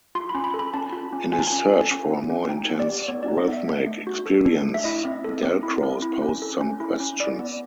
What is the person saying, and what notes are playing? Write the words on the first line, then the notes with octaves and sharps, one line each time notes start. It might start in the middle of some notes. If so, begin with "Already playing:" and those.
In his search for a more intense rhythmic experience, Dalcroze posed some questions.
F4 C6
B5
C#4
B5
A4
B5
C#4 A5
F4
C#4
F4 G#5
A5
G#5
C#4
A4
C#4
F4
C#4
D#4 G5
B3
D5
G4
B3 C#5
D5
D#4
D#5
B3 E5
D4
A3
F#4
A4
D4
A3
E5
E4 D#5
C4
A4
C4
E4
C4
E4
C#4
A4
C#4
E4
C#4
E4 D5
B3